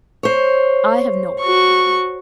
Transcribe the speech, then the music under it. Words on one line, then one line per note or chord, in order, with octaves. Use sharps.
"I have no one."
C5 C#5
F#4 C#6